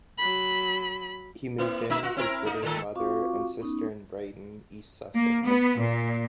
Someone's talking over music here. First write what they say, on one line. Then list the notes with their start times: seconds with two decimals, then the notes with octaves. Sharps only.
He moved in with his widowed mother and sister in Brighton, East Sussex.
0.18 F#3 B5
1.58 A#3 E4
1.90 A3 D#4 E5
2.03 F4 F#4
2.17 C4 E4 A#4
2.45 A#3 D#4
2.62 A2 D#3 A4
2.95 C4 F4 F#4 F5 C#6 D6
3.61 B3 C#4 D#4
5.16 A#3
5.46 B3
5.79 A#2